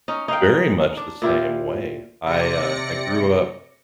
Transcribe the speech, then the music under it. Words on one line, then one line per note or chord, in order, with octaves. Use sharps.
very much the same way. I, uh, I grew up
C#4 D#4
D#4 F5 G5
D4
A#2 E4 F4 G4
C3 D5 A#6 C#7